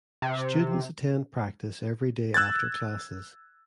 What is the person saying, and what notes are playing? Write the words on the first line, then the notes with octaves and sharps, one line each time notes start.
Students attend practice every day after classes.
C3
E6 F#6 G#6 A6